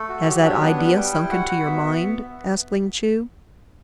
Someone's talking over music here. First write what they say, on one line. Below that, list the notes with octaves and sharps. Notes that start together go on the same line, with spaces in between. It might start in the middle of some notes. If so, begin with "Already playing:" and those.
"Has that idea sunk into your mind?" asked Ling Chu.
Already playing: A3 A4
F#4
F#3 G4
D4
B3 B4
G3
G3 G5
E4
F#4 F#5
F#4
B3 E5
B3